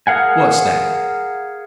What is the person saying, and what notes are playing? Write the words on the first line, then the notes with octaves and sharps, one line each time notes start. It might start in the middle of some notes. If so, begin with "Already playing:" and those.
"What's that?"
G#4 A#4 F5 F#5 G#5